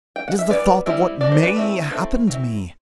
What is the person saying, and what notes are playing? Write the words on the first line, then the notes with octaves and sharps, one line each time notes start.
"It is the thought of what MAY happen to me."
G5
F#5
E5
E3 G3 B3 B4 D5
G3 C4 E4
F#3 A3 D4 D5
C5
B4 D5
A3 C4 E4
A3 C4 E4 A4 C5
F#3 C4 E4